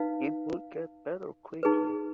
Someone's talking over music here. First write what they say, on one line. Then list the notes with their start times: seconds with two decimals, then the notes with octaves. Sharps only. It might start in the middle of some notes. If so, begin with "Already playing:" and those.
It will get better quickly.
Already playing: D#4 B4 F5
1.63 D#4 G#4 B4